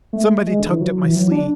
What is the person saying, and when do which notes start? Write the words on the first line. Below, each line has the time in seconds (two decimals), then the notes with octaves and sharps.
Somebody tugged at my sleeve.
0.13 A3
0.47 G#3
0.60 D3
0.70 E3
0.81 F#3
1.03 E3
1.15 F#3
1.31 D4